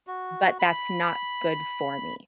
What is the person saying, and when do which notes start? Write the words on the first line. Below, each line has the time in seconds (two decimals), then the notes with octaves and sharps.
but that's not good for me.
0.07 F#4
0.59 B5